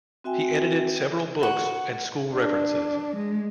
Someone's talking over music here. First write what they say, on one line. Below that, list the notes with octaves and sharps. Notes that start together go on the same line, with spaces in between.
He edited several books and school references.
C4 F#4 E5 G5 G#5
F#4 F#5
D4
G#3